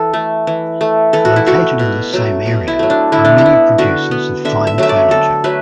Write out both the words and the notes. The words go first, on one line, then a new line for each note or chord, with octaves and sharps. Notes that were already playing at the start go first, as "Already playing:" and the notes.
Located in the same area are many producers of fine furniture.
Already playing: E3 A4
A3
E3
A3
E3 A4
F#4
E4
A3 F#4
B2
F#3 A3
B2
E4
F#3 A3
D4
D3 E4
D4
E4
B3
D3 F#4
B3
D3 E5
E5
F#3 A3 E5
D5
D3 A4
F#3 A3 B4